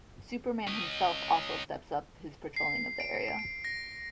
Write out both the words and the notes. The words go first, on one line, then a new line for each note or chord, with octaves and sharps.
Superman himself also steps up his patrolling of the area.
C#4 D#5
C7
D7
D7
A#6